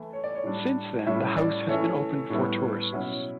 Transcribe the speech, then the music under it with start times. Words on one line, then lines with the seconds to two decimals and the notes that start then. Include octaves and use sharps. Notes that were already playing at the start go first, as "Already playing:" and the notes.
Since then, the house has been open for tourists.
Already playing: E3 A3 E4
0.13 C#5
0.24 D5
0.35 C#5
0.44 A2 G3 D4
1.06 A2 G3 C#4 E4 E5
1.37 D5
1.68 E3 A3 C#4 E4 C#5
2.30 A2 G3 B3 E4
2.92 B2 F#3 C#4 E4